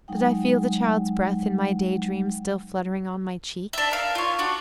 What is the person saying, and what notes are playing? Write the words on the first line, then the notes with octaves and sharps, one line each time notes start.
Did I feel the child's breath, in my day-dream, still fluttering on my cheek?
F#3 G#3 D#4 F#5 G5
D4 E5
A#4 F5
F4 C#5
D4 F#4